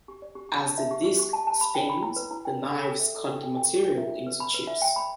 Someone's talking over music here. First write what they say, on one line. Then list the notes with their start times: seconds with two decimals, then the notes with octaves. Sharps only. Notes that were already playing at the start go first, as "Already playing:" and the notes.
As the disk spins, the knives cut the material into chips.
0.08 G4
0.22 D5
0.35 G4
0.49 G4
0.64 A5
0.78 E5
0.91 G4
1.05 G4
1.19 G4
1.33 A5
1.47 A5
1.61 B5
1.75 G5
1.90 B5
2.02 E4
2.16 B4
2.31 E4
2.45 G5
2.58 B4
2.72 A4
2.87 G5
3.00 E5
3.15 A4
3.29 G5
3.43 G5
3.56 G5
3.70 A4
3.85 G5
3.98 E5
4.12 E5
4.27 B4
4.40 B5
4.54 B4
4.67 E5
4.82 G5
4.96 B5